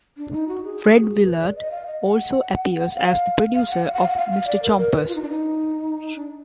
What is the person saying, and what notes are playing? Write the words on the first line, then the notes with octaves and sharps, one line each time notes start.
Fred Willard also appears as the producer of Mr. Chompers.
D4
D#4
F#4
G#4
F#4
G#4
B4
D5
D#5
F5
D#5
F#5
F5
F5
F#5
F5
F#5
F5
F#5
F5
F5
D5
A#4
A#4
B4
F4
D#4
D4
D#4
D4